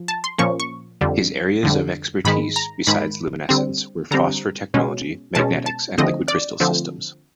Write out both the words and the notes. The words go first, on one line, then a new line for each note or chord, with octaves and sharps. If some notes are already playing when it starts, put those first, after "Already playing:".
His areas of expertise, besides luminescence, were phosphor technology, magnetics and liquid crystal systems.
Already playing: F3
A5
C6
A#2 F3 A#3 C#4 C#6
C#6
F2 D3 G3
F2 D3 G3
G#2 D#3 G#3 B5
A#5
G#2 D#3 G#3 B5
D3 G3 C4
D3 G3 C4 A#5
B2 G#3 C#4
B2 G#3 C#4 A5
A5
D3 F3 A3 C4 D#5
D5
D3 F3 A3 C4